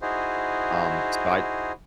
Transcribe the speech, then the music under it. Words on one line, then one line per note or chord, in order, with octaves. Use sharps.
um, so I
D#4 E4 F#4 G#4 C5